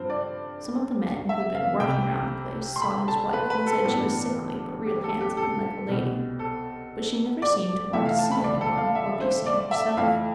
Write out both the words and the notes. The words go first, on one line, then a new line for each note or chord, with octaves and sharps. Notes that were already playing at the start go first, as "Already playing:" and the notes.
Some of the men who'd been working round the place saw his wife and said she was sickly but real handsome and like a lady, but she never seemed to want to see anyone or be seen herself.
Already playing: G2 F3 C4 C5
D5
E5
F5
C2 C3 G3 G5
C6
B5
A5
B4
B4
A4
A1 G2 E3 B3 D4 A4
G4
A4
G4
A4
C2 B2 G3 C4
A4
D5
F1 F2 E3 A3 E5
F5
A5
B5
D5
A4
F5
E5
C5
D5
E5
F2 E3 A3 F5